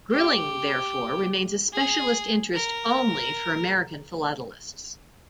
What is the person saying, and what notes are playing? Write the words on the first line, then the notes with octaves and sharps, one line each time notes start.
"Grilling" therefore remains a specialist interest only for American philatalists.
G4
G#4
A#4